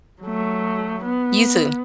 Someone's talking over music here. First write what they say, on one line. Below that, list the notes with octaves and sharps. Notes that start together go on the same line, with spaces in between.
You too.
F#3 A3
B3